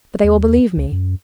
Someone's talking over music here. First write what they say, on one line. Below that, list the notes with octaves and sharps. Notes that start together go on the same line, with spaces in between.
But they will believe me.
D#2
C#2
F#2